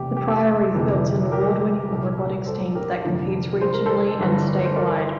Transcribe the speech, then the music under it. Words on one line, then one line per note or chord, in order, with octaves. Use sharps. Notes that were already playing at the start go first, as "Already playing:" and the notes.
The Priory fields an award-winning robotics team that competes regionally and statewide.
Already playing: F1 E2 C3 E3 G4
G4
G1 F2 C3 E3
G4 A#4
C2 A#2 G3
A4 C5
G4 A#4
F1 F2 D3 F3
C5
A#4
A4 C5
G1 G2 E3 G3
C5
A#4 D5